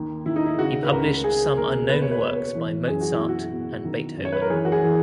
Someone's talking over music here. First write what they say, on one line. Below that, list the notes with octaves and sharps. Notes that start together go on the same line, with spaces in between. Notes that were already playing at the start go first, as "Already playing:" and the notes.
He published some unknown works by Mozart and Beethoven.
Already playing: D#2 D#3
D#3 E4
D#4
E4
C#3 F#4
B4
C#2 A#4
C#3 G#4
D#2 A#4
B2 B4
C#5
B4
B2
B4
E3
F#2 G#4
F#4
E4
B2
F#4
B2
D#3
F#2
C#5
B4
A#4
E3 G#4
F#4
G#4
E3